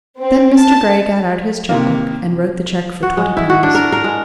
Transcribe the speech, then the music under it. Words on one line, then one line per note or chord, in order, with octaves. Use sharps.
Then Mr. Grey got out his check-book and wrote the check for twenty pounds.
C4
A5
C3 D#3 A#3
F#4
G#3
E4
F#4
D4
A#4
A#4
G#3